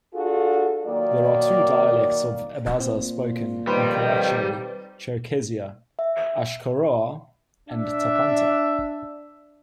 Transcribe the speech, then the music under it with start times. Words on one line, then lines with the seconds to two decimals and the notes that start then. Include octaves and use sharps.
There are two dialects of Abaza spoken in Karachay-Cherkessia: "Ashkharua" and "Tapanta".
0.13 D4 F4 F#4 G#4 A4
0.85 D#3 F#3 A#3 D5
2.80 A#2 C4
3.67 F2 D#3 G3 B4 C5
5.99 E5
7.69 D4 E5